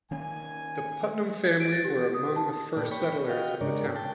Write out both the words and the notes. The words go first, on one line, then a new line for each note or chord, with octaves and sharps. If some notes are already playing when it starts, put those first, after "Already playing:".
The Putnam family were among the first settlers of the town.
D#3 A#3 C#4 G#5
D7
A6
G4
D#6
A5
A#2 G4 A4 B4 D5
C#5 G5 B5 C#6
F#4 D#5 F5 G5
G#2 C#3 D4 A#4 C#5 D5
G5 A5